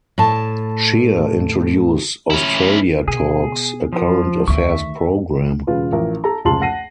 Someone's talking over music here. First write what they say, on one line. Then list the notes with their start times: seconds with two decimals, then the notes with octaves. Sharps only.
Shier introduced "Australia Talks", a current affairs program.
0.18 A2 A5
2.30 C#4 E4
3.08 B2 G#4
3.93 F3
4.48 D2 D#3 E5 C#6
5.67 E1 C#3 F4 B4
5.92 A1 F3 A#4
6.24 A4 A#5
6.45 F1 C#2 A#2 A5 C6 F#7
6.61 F#5 A5 A#6 C7 D#7